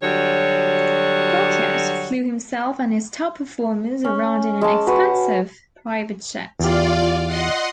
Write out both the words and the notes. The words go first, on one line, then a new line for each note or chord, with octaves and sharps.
Crockett flew himself and his top performers around in an expensive private jet.
D3 F#3 G3 F#4 C#5
C#4
G#3 A5
F#4 B4
E2 F4 G4 D5 F5
D#5 F#5 C6